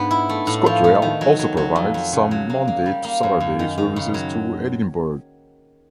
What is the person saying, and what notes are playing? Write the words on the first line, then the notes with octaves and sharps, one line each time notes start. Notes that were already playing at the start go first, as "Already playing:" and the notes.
ScotRail also provides some Monday to Saturday services to Edinburgh.
Already playing: G#2 B3 D4
E4
A3
A2
F3
A3
D#3
F#3
F#3
F#3
F2
F2
C#3
F#3
A#3
A#3
G3
A#3
F#2
F#2
D#3
D#3
C#3
F#3